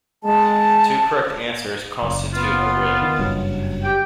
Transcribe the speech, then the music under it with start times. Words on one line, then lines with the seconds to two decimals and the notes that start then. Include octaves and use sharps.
Two correct answers constitute a win.
0.24 G#3 A5
2.02 F#1
2.34 B3 F4
3.02 D#3
3.19 F#1 G2 F#3
3.84 G4 G5